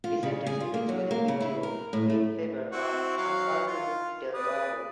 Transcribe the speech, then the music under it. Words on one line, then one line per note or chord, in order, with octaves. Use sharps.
Vicente eventually withdrew in favour of Humberto Delgado.
F4
C#3
G#4
F4
A#3
F#3
A#3
C#3
E4
A#4
A2
A3
C4 E4 F#4
F#3 F#4 F5
F4
B4 D5 D#6